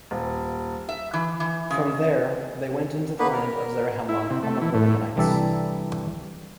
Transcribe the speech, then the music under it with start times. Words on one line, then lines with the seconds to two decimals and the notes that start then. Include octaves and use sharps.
From there, they went into the land of Zarahemla, among the Lamanites.
0.11 D#1
0.89 E5
1.13 E3
1.40 E3
1.71 C#3
3.19 A#3 B3 B4
3.33 A#4
4.09 E4
4.30 C3
4.43 A3
4.62 E3
4.74 A2
5.16 C2 E3 G3 D4 A4 E5